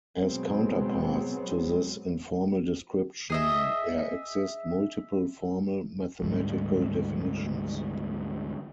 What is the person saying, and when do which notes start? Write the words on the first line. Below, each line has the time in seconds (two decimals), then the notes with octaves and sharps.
As counterparts to this informal description, there exist multiple formal, mathematical definitions.
0.22 B2 F#3 G#3 B3 C4
3.30 G#4 D#5 E5
6.22 D2 G#2 G3